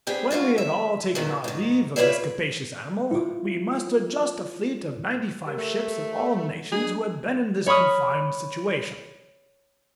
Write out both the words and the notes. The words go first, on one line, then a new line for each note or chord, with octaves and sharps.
When we had all taken our leave of this capacious animal, we mustered just a fleet of ninety-five ships, of all nations, who had been in this confined situation.
B3 C4 D4 G4 G#4
G#3 D4 F4 F#4
E5
E2 A#2 D#3
G#2 D#3
E4 F4 B4 C#5 D5 E5
E4 F4
G4 A#4
A3
A3 D4 G#4
C#5 B5 C#6 D#6 F6